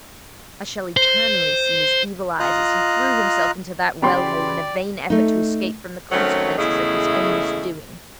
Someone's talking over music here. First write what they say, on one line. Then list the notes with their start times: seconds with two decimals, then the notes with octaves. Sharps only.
I shall eternally see his evil eyes as he threw himself into that well-hole in a vain effort to escape from the consequences of his own misdoing.
0.97 C5
2.40 F4 D#5 A#5 F#6
4.02 C#3 E3 F#4 G4 D5 B5 C6
5.10 A3 D#4
6.11 D#3 F#3 A3 C4 C#4
6.58 E2 C#3 G#3 A3 E4